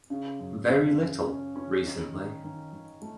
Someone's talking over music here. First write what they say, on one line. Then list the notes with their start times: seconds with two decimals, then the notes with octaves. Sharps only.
Very little, recently.
0.10 C#3
0.39 F#2
0.68 C#3
0.98 C#4
1.27 C#4
1.56 C#4
1.85 D#3
2.15 D#3
2.44 D#3
2.73 D#3
3.02 A3